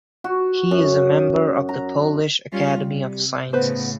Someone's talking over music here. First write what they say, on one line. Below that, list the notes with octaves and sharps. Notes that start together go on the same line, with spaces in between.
He is a member of the Polish Academy of Sciences.
F#4
F#2
A#5
G3 C#4 F4
C3
A2 C#3 B3 B4 C5